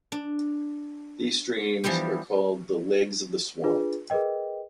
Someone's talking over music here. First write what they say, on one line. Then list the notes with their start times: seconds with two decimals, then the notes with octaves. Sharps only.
These streams are called the "legs" of the swap.
0.12 D4
1.84 E3 F3 G3 B3 G4
3.64 D4 F4 G#4 B4
4.10 G#4 A#4 B4 D#5 G5